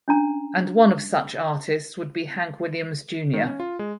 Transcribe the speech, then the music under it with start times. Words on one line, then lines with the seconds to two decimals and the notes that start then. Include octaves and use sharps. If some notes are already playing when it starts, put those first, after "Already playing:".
And one of such artists would be Hank Williams Jr.
0.08 C#4 D4 A#5
3.33 D#3
3.47 C#4
3.60 F4
3.79 G#3